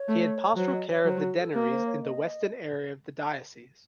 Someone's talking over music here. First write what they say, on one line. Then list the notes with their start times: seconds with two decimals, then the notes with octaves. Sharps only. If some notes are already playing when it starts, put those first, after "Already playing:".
He had pastoral care of the deaneries in the western area of the diocese.
Already playing: C#5
0.08 A3
0.56 F#3 C5
0.72 D#5
0.89 C#5
1.05 F#3 C5
1.22 F#4
1.38 A4
1.54 A#3 A#4
1.70 C5
1.86 C#5
2.03 D#5